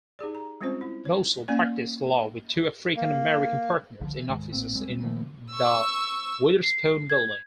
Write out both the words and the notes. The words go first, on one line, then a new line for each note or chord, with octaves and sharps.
Mossell practiced law with two African-American partners in offices in the Witherspoon Building.
D#4 G4 G#4 D5
A#5
G3 G#3 C4 C#4 F4 C5
E4
C#5
A#3 C#4 D5
A#3
D#1 B1 D3 F3
E3
D1 G#2 D#3 G#3
A1 A2 A#3 C4
D#2 G3 G#3 C4
D#3 F3 A3 B3
C#6 E6
C7
G#6